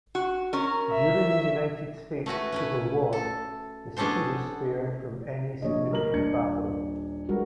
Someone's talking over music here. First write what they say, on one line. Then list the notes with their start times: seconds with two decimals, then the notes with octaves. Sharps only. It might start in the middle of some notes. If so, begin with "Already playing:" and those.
During the United States Civil War, the city was spared from any significant battle.
0.15 F#4
0.53 C#4 A#4
0.90 E5
2.26 A3 C#4 F#4 B4
2.52 C#4 E4 B4
3.13 A4
3.97 B3 C#4 D4 A4 C5
5.62 A#1 D3 C#5 D#5
5.91 G3 A#4 F#7
6.14 D#1 D4 G#6 C#7
7.29 G3 G#3 F#4 A#4 B4